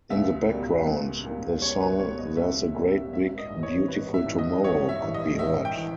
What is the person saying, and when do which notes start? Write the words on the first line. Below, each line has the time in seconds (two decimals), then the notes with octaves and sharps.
In the background, the song "There's a Great Big Beautiful Tomorrow" could be heard.
0.10 C#2 E5
0.48 B2 G3 A#3
0.86 C#2
1.24 B2 G3 A#3
1.62 C#2 C#5
1.81 B4
1.99 B2 G3 A#3 C#5
2.18 D#5
2.37 C#2 E5
2.62 E5
2.75 B2 G3 A#3
2.88 E5
3.13 G#1 E5
3.38 D#5
3.50 G2 E3
3.63 C#5
3.88 G#1 B4
4.14 E5
4.26 G2 E3
4.38 D#5
4.63 G#1 C#5
4.89 E5
5.02 G2 E3
5.14 D#5
5.39 G#1 E5
5.65 G5
5.77 E3